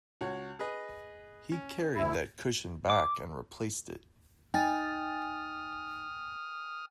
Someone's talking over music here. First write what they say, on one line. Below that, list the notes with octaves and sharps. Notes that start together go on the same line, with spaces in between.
He carried that cushion back and replaced it.
C#2 F#4 C#5
G#4 B4 D#5
C#4
D2 E4
D6
D#4 G5 G#5 D#6 F6 A6